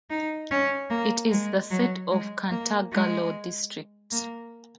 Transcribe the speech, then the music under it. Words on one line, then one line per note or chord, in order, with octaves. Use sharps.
It is the seat of Cantagalo District.
D#4
C#4
A#3
G#3
F#3
G#3
A#3
G#3
A#3